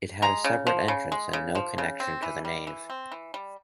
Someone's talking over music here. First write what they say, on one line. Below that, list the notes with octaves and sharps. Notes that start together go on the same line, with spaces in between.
It had a separate entrance and no connection to the nave.
G#3 A#5
C#3
F3
C#3
G#3
C#3
F3
C#3
C4
E3
G3
E3
C4
E3
G3